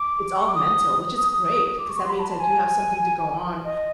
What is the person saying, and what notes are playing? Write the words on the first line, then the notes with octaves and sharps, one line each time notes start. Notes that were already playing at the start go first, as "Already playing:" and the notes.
It's all mental, which is great, 'cause that means that you have something to go on
Already playing: D6
C#6
D6
D#6
D#6
D#6
D6
C#6
C6
B5
A5
A5
G#5
D#5